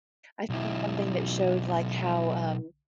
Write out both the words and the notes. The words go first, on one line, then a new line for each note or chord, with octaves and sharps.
I think something that showed, like, how, um,
B1 E4